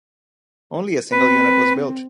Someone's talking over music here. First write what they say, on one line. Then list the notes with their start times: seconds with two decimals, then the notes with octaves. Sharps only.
Only a single unit was built.
1.12 C4 B4